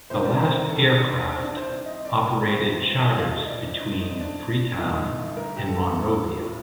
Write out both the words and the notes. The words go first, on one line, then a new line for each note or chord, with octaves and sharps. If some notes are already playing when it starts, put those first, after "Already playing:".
The last aircraft operated charters between Freetown and Monrovia.
C2 C3 D#3 C5
D5
C5
A#4
A4
D4
C4
D4
C5
D#5
D5
A#4
A#4
G1 F2 D#3 C5
D#5
F5
D#5
D5
D#4
D4
D#4
D4
A1 G2 D3 D#4
A#4
G4
A4
A4
F4